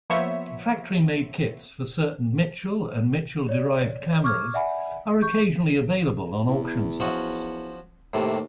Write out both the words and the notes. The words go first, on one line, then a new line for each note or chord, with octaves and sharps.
Factory-made kits for certain Mitchell and Mitchell-derived cameras are occasionally available on auction sites.
F3 A#3 B3 C5 C#5 E5
C#5 D5
C#6 D6 F6 G#6
D5 E5 F#5 G#5 B5
C#6 G6
E2
F3 C#4 F#4
D#2 A2 C3